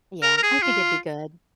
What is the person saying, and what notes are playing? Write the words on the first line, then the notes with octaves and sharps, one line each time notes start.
Yeah, I think it'd be good.
A#4
A#4
G#4
F4